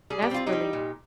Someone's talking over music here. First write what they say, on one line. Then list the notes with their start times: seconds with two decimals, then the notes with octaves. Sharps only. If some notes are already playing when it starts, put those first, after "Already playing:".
That's really
0.10 G3 G#4
0.22 G4
0.31 C4 F4
0.46 D#4 G4
0.53 G3
0.73 A#2